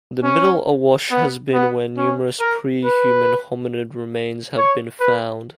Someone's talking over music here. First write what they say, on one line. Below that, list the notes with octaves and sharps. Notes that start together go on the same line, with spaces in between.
The Middle Awash has been where numerous pre-human hominid remains have been found.
C#4
B3
B3
C#4
A#4
B4
C#5
B4